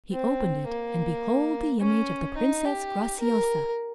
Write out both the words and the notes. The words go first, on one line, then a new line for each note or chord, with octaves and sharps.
He opened it, and behold the image of the Princess Graciosa!
C4
A#3
C#4
D#4
G4
A#4